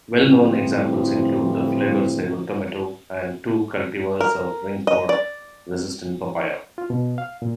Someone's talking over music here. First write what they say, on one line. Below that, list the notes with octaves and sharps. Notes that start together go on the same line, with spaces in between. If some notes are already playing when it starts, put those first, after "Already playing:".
Well-known examples include the Flavr Savr tomato and two cultivars of ringspot-resistant papaya.
A2 D3 E3 F3 G3 C4
A#4
D#5
D5
F4
B2
F5
A#2